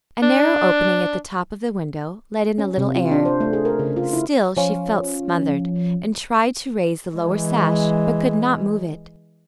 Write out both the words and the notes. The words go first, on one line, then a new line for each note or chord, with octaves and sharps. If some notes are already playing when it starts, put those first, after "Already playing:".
A narrow opening at the top of the window let in a little air; still she felt smothered, and tried to raise the lower sash, but could not move it.
D4
C#4
C3
F4
D4
C5
A3
G#4
A#4
C#3
F4
E4
F3 C#4 F4
E3 G#3